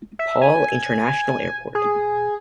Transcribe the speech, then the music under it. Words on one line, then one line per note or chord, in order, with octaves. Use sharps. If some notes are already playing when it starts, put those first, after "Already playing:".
Paul International Airport.
E5
G#5
G#4